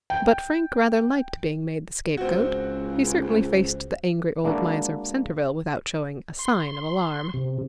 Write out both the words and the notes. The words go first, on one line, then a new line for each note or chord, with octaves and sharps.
But Frank rather liked being made the scapegoat; he certainly faced the angry old miser of Centerville without showing a sign of alarm.
G5
C#2 C4 F#4
G#3 A#3 D4 E4 F#4
C6
C3